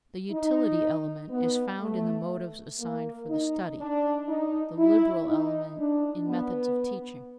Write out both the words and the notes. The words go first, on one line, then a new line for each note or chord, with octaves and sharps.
The "utility" element is found in the motives assigned for the study, the "liberal" element in methods of teaching.
D#4
B3
A3
A#3
D#4
D4
D#4
E4
D#4
D4
B3